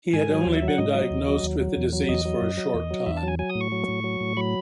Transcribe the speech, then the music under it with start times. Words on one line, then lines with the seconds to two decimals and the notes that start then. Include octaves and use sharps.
He had only been diagnosed with the disease for a short time.
0.13 G#2 G#5
0.29 F#3
0.46 D#2
0.56 E5
0.62 F#3
0.68 F#5
0.78 G#2 D#5
0.95 F#3
1.11 D#2
1.27 F#3
1.44 D#2
1.60 F#3
1.76 E2
1.93 F#3
2.09 E2 D#5
2.25 F#3
2.41 F#2
2.57 F#3
2.74 E2
2.91 F#3
3.06 E2 E5
3.17 A5
3.23 F#3
3.28 G#5
3.39 F#3 G#5
3.50 D#6
3.55 A2
3.61 C#6
3.72 F#3
3.88 A2
4.04 F#3
4.21 A2
4.37 F#3 B5